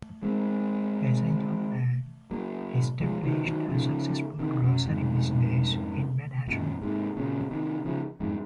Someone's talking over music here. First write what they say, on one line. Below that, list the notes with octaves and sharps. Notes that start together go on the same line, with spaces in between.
As a young man, he established a successful grocery business in Manhattan.
G#3 C4
F#3 A#3
F3 G#3
D#3 F#3
D#3 F#3
C#3 F3
C3 D#3
F#2
F2 G#2
F#2 A#2
G#2 C3
A#2 C#3
C3 D#3
C#3 F3
F2 G#2